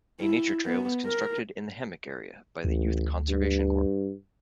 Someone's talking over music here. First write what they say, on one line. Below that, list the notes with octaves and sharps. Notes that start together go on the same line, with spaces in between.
A nature trail was constructed in the hammock area by the Youth Conservation Corps.
E4
B3
A#4
A1 D2
G2